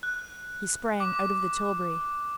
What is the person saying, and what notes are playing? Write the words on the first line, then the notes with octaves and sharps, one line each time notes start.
He sprang out of the tilbury.
F#6
D6